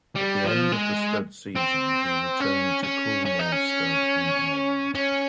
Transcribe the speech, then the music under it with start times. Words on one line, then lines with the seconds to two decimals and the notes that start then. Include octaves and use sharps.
At the end of the stud season, he returned to Coolmore Stud in Ireland.
0.15 G3
0.44 F3
0.72 G#3
1.56 C4
2.40 C#4
2.83 C#4
3.25 C#4
3.39 D#4
3.52 C#4
4.95 C#4